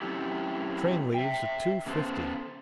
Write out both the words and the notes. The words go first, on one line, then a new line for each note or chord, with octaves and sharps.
Train leaves at two-fifty.
F#3 A3 C4 C#4 E4 G4
E5 G5
C#3 A3 B3 F#4 A4 C5